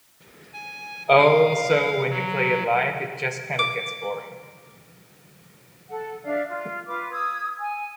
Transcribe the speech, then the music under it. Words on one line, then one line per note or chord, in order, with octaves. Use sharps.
Also, when you play it live, it just kind of gets boring.
G#5
F5
F#3
D6
A4 F#5
D4 D5 E5 F5
F4
F4 B4 D6
D#6 E6 G#6
G#5